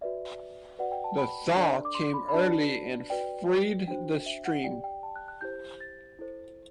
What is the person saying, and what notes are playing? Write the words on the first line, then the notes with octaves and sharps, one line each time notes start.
The thaw came early and freed the stream.
F#4 B4 D5 E5
F#4 B4 D5 F#5
G5
A5
B5
D4 A4 D5
D6
C6
B5
B5
D4 F#4 B4 D5 A5
F#4 B4 D5 G5
D4 F#4 C5 G5
E5
F#5
G4 D5 G5
G5
A5
F#6
F#6
E4 G4 C5 G6
A6
E4 A4 C5